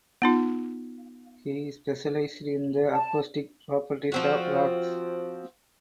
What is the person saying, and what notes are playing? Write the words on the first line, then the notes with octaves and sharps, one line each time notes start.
He specialised in the acoustic properties of rocks.
B3 D#4 F4
A5
F3 C4 F#4